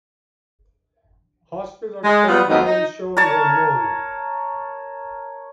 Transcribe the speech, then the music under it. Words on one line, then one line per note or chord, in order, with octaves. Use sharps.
Hospital category is shown when known.
G#3
G3 B3 F4
F2 D#3 G#3 A#3 B3 D#4
D#4
A#4 C#5 A5